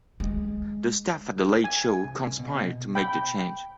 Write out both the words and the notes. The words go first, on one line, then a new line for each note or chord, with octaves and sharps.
The staff at the "Late Show" conspired to make the change.
G#3
G#5
C2
B2
G5 B5